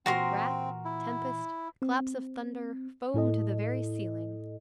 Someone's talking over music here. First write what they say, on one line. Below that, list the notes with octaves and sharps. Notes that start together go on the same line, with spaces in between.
Wrath, tempest, claps of thunder, foam to the very ceiling.
A#2 E3 C4 F#4 A#4 C6
E4
C4
A2 E4 A4 D#5